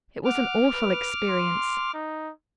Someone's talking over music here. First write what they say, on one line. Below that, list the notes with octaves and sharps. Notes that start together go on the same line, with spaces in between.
It was an awful experience.
F#5 D6 F6
B4
C6
D#4